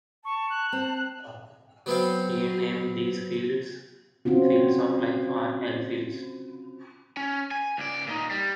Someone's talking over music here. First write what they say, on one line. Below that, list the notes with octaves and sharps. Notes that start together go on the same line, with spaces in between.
He named these fields "fields of life" or L-Fields.
A5 C#6
F#6
C4
F#3 B3 C4 F5
C4 C#4 F4 F#4
C#4
G#5
C#2 D5
A#2 D#4
G3